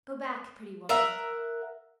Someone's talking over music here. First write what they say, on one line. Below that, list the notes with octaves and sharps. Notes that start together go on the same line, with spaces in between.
'Go back, pretty woman!
A#4 E5 F#5